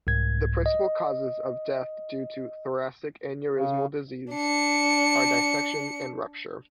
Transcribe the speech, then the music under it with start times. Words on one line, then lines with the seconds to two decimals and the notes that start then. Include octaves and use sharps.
The principal causes of death due to thoracic aneurysmal disease are dissection and rupture.
0.07 C2 G#2 G#6
0.66 D#5
3.55 C#3
4.33 D4 C#7